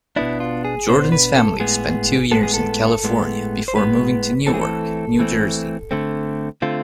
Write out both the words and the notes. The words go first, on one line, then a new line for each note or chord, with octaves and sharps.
Jordan's family spent two years in California before moving to Newark, New Jersey.
B2 B3 D4 E4
F4
G#4
B2 B3 D4 C5
B4
A4
A2 G#3 B3 G#4
A2 G#3 B3 A4
G#4
A4
A2 G#3 B3
C5
A2 G#3 B3 B4
E3 A3 C4 A4
G#4
A4
E3 A3 C4
D3 A3 C4
D3 A3 C4 F4